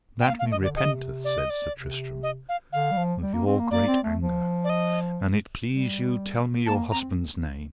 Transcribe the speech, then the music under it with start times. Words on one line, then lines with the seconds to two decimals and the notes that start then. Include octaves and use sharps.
That me repenteth, said Sir Tristram, of your great anger; an it please you tell me your husband's name.
0.21 G5
0.26 A#3 F5
0.39 F5
0.43 A3
0.51 D#5
0.60 D3 D5
0.76 C3 D#5
1.24 D5
1.38 D#5
1.50 D5
1.74 C3
2.23 D#5
2.49 F5
2.72 D3 F5
2.91 G3
2.97 F3
3.22 G3
3.34 A#3
3.47 C4
3.59 A#3
3.71 A#3 D5
3.87 C4
4.04 A3
4.21 F3
4.64 D5
4.69 D#5
5.68 G3
6.66 A#3 A5
6.91 C4 A#5